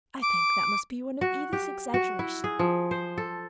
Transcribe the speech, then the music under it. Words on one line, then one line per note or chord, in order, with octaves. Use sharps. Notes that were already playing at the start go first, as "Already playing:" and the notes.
'I think that must be one of Edith's exaggerations.
D6
F#4
G4
F#4
E4
G#4
F3
C5
A4